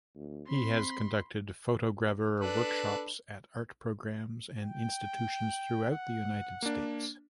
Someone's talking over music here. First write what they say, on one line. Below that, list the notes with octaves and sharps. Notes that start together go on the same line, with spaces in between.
He has conducted photogravure workshops at art programs and institutions throughout the United States.
D2
C4 B5 C6
D4 A4 B4
G5
F#5
A#3 D4